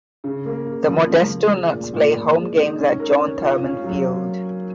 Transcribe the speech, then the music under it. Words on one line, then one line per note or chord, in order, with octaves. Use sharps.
The Modesto Nuts play home games at John Thurman Field.
C#3
A#3
C#3
F3
C#3
F3
G#3
A#2
A#2
A#2
G#3
D#4
C#4
A#4
C#4
F4
C#4
F#3